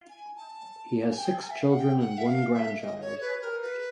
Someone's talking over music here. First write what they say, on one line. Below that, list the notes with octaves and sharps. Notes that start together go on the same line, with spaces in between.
He has six children and one grandchild.
G#5
A5
G#5
G5
G#5
E5
F5
F#5
G5
F#5
E5
F5
E5
D#5
C#5
B4
A#4
B4